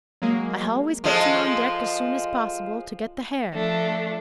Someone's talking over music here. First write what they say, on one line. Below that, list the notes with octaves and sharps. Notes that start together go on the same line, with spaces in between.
I h'always gets them on deck as soon as possible to get the h'air.
F#3 G#3 A#3 G#4
F3 G#3 A4
F3 A3 D4